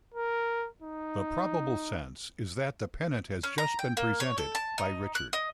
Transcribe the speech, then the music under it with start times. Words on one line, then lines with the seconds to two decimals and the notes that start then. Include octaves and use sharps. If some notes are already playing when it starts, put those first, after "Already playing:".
The probable sense is that the pennant has just been presented by Richard.
0.14 A#4
0.82 D#4
3.43 C#4
3.58 A#5
3.79 G5
3.97 A#3
4.20 C#5
4.38 A4
4.55 A5
4.78 D#4
5.15 F#6
5.33 D#5